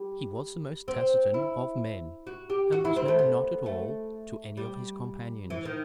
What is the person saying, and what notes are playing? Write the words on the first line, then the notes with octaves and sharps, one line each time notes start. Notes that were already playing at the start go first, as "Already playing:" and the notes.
He was the most taciturn of men, and was known not at all to any of his companions.
Already playing: G3
C4
E4
F#4
G4
F#4
E4
C4
A3
B3
A3
G3
E3
D#3